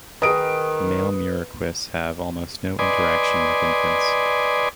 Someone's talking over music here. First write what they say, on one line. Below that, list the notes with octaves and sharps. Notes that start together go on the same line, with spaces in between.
Male muriquis have almost no interaction with infants.
D#3 G#4 A#4 B4 D#5 D#6 D7
B4 D5 D#5 G#5 C6